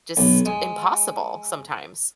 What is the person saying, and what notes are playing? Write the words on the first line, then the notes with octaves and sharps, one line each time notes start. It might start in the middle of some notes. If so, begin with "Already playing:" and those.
just impossible sometimes.
B1
G#3